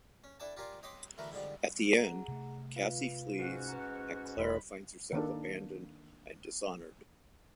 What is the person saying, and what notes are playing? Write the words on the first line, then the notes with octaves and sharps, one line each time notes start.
At the end, Cassi flees and Clara finds herself abandoned and "dishonored".
C#4
D4 E4 A4 D5 G5 A5
F4 G4 A#4 D5 G#5 C6
C#5 D#5 G5 B5 C6 D6
D2 E3 A3 A#4 B4
G#2 D3 F3 G3
G#4 F#5 A#5
C3 A3
F4 B4 F5
G#2 C#4 F#4
B4 G#5 A#5
E1 D#2 G#3 B5
D#3 A#3 D4 A4